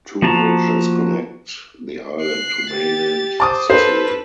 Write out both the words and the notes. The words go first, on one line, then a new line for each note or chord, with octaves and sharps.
Two bridges connect the island to mainland Sicily.
F3 A#3 F#4 A5 A#5
F#6 C7
G4 A6
C5 A5 D6 D#6
A4 B4 C5